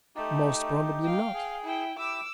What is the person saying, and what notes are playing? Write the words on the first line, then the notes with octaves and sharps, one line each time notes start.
Most probably not.
A3 D#4 G4
F5 G5
G#4
E4 G5
E4 G4 E5 D6 E6